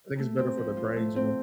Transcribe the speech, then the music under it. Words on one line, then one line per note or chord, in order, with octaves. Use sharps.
I think it's better for their brains, you know?
A3
C4
F3
F4
A3
C4